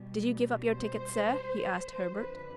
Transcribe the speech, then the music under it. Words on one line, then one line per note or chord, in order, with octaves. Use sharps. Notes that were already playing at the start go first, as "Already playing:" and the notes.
"Did you give up your ticket, Sir?" he asked Herbert.
Already playing: B2 G3
C5
F2 D3 F3 C5
B4